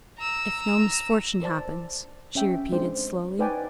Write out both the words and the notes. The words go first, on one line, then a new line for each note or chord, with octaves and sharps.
"If no misfortune happens," she repeated slowly.
A#5 E6
A#4 C5 D5 A5
C#4 E5 G5
G#3 C4 D4 C5
D#4 B4 C5 D5 G5 G#5